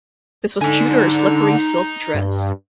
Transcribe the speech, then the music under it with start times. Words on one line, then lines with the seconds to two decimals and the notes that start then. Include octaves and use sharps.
This was due to her slippery silk dress.
0.61 D3 D#4 G#5
2.14 G2